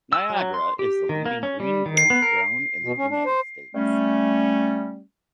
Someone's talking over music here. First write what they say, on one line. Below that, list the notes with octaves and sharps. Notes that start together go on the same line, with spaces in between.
Niagara is the leading green grape grown in the United States.
E6
F#3
C6
G4
D#3
A#3
C#4
G3
D#3
B3
A#4
B2
C#4
D4
C5
G3 A3 C#4